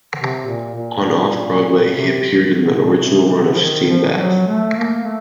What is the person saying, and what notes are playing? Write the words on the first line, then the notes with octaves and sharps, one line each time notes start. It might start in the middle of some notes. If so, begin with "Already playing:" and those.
On Off Broadway, he appeared in the original run of "Steambath".
C3
A#2
A#2
A#2
C3
C3
A#2
C3
F3
D#3
D#3
F3
F#3
A3
A#3
A3